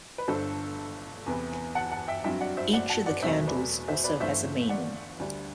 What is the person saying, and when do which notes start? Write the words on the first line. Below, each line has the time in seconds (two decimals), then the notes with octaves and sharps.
Each of the candles also has a meaning.
0.18 B4
0.28 G1 G2 D3 A4 C5
1.26 E2 C3 E3 B3
1.75 F#5 A5
1.91 F#5 A5
2.08 E5 G5
2.24 G2 F#3 C4 E5 G5
2.41 D5 F#5
2.57 C5 E5
2.73 D5 F#5
2.90 F#5 A5
3.06 D5 F#5
3.22 E1 E2 C3 F#3 A3 C5 E5
3.47 B4 D5
3.88 C5 E5
4.04 B4 D5
4.20 G1 G2 E3 A3 C5 E5
4.69 D5 F#5
5.19 D2 D3 G3